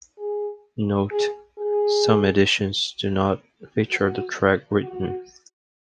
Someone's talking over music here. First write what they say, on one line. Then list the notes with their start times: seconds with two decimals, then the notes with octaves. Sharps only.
Note: Some editions do not feature the track "Written".
0.18 G#4
1.11 G#4
1.58 G#4
3.90 F#4
4.83 F#4